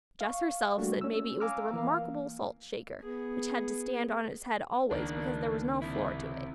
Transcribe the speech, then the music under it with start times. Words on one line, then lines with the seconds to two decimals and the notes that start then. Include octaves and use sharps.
Jess herself said maybe it was the remarkable salt shaker which had to stand on its head always, because there was no floor to it.
0.21 F5 C#6
0.78 G3 A3 A#3 D4 F#4
1.01 C#4 E6
1.40 F5 G#5 A#5 D6 E6 F6
1.73 E3 A#3 F5
3.01 B3 G#4
4.91 C#2 D#3 A#3 D4
5.82 C3 E4